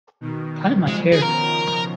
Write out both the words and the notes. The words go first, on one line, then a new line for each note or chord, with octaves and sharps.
Time I did.
B2 D#3
B2 D#3
C#3 F3 G#3
G#4
B2 D#3 A#4